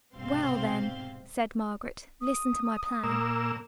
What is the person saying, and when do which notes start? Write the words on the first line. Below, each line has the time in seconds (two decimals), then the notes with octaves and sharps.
'Well then,' said Margaret, 'listen to my plan.
0.15 B1 G#2 C3 C4 F5 C6
2.21 D#6
3.04 A#2 A#3 E6